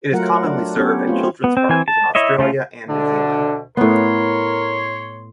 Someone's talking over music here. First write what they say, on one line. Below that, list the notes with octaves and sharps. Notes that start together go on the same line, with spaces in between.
It is commonly served at children's parties in Australia and New Zealand.
F#3 A3 F4 A#4 F#5
D4
B3 C#4 G4 C#5
A3 C4 F4
B3
C4
E3 C4 G#5
A5
E4 C#5 D#5 E5
C#3 A3 C#4 F4
D2 B2 D3 D4
A2 B3 A#4 C#5 C6